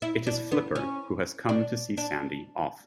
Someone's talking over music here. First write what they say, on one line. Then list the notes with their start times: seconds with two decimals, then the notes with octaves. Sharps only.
It is Flipper, who has come to see Sandy off.
0.02 E4
0.27 D4
0.52 B3
0.75 C#4
1.49 D4
1.97 D4